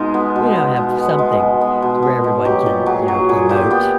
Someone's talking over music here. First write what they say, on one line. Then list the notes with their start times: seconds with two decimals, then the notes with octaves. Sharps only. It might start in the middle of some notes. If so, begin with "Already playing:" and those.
you know, have something to where everyone can, you know, emote
Already playing: B2 G#3 D#4 F4
0.14 B3
0.36 B2
0.56 B3
0.77 B2
0.98 B3
1.19 G#3
1.40 B2
1.61 B3
1.82 B2
2.02 B2
2.24 B2
2.45 F#3 G4
2.66 A#2
2.86 F#3 G#4
3.08 F#3
3.29 A#2 G#4
3.49 A#2 G4
3.71 B3 G4